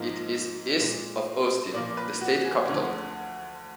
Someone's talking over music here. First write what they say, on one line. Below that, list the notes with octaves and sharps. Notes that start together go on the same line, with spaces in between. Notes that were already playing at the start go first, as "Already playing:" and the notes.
It is east of Austin, the state capital.
Already playing: G#2 F3 A#3 D#5
A#2 G#3
A#2 F3 A#3 D5
B4
F#4
G#4
D2 D3 F3